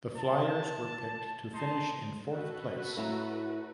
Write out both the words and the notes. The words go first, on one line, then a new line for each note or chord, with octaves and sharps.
The Flyers were picked to finish in fourth place.
A5
D#4 A5 C6
F#4 A4 B4
A2 E4 A#5